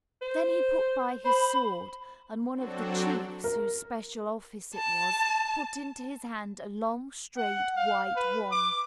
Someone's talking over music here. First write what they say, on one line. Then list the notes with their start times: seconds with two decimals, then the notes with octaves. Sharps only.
Then he put by his sword; and one of the chiefs, whose special office it was, put into his hand a long, straight, white wand.
0.22 C5
1.25 C5 B5
2.54 F#3 C4 D4 F#4 A4
3.44 A#4
4.76 A5
7.37 F#5
7.76 F5
8.16 B4
8.52 D6